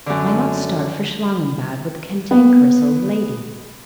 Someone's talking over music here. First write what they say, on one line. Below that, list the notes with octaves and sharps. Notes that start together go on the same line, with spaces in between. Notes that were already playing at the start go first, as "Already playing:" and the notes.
Why not start for Schlangenbad with the Cantankerous Old Lady?
F#2 D3
B3